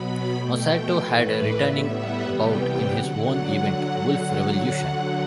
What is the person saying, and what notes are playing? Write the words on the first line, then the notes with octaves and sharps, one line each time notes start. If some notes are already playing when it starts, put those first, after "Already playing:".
Masato had a returning bout in his own event "Wolf Revolution".
Already playing: B2 F#3 B3 B5
B2 A3 G5
A2 E3 A3 B4
D5
A2 G3 B3 E5
F#5
C3 E3 G3 B3 G5
D3 F#3 F#5